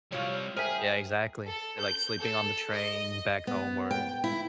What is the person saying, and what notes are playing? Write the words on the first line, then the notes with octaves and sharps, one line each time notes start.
Yeah, exactly, it like sleeping on the train back home or
C2 G3 F4 C#5
G#4 A#4 C5 E5 G5 G#5
A4
G6
A4
D#5
B3
G5
E4